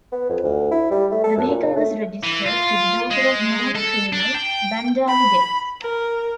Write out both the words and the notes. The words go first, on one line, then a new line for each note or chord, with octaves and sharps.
The vehicle was registered to the daughter of known criminal, Bandali Debs.
B3
F2
D2
E4
G3
A3
A4
F#2
A#2
C#3
A3
E3
F4
G#3
A4
D4
G5
B5
A#4